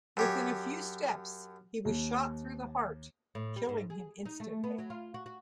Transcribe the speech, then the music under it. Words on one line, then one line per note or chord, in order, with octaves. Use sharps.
Within a few steps, he was shot through the heart, killing him instantly.
F#2 G4 C#5
D#2
A2
G3
G#2
G#4
D#4
A3
B3
F#3
F4
F#4
F#4